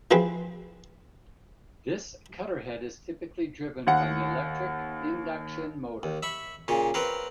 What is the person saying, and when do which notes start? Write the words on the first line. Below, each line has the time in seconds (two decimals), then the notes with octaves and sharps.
This cutter head is typically driven by an electric induction motor.
0.11 E3 F3 C4 G#4 B4
3.87 D#2 F#5
6.03 D#2
6.23 E5 B5 C#6
6.68 A#2 C#3 C#5
6.94 C4 A#4 B4 C#5 F5